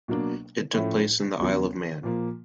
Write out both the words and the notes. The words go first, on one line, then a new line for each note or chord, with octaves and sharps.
It took place in the Isle of Man.
B2 F#3 A#3 D4
A2 F3 A3 C#4 E4
E2 C#3 F#3
A#2 F3 A#3